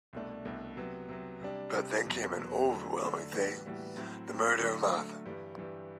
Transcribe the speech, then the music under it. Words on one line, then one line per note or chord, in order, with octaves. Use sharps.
But then came an overwhelming thing — the murder of Marthe.
C2 B2 A3 D4
C2 B2 A3 D4
C3 F#3 B3
C3 F#3 B3
C3 G3 D4
C3 G3 D4
E2 B2 F#3
E2 B2 F#3
D3 F#3 A3
D3 F#3 A3
A2 E3 G3 B3 F#4
A2 E3 G3 B3 F#4
A2 F#3 C4 E4
A2 F#3 C4 E4
D3 F#3 A3
D3 F#3 A3
G2 E3 G3
G2 E3 G3